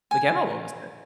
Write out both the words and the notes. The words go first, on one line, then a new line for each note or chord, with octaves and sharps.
The camo almost did.
G#5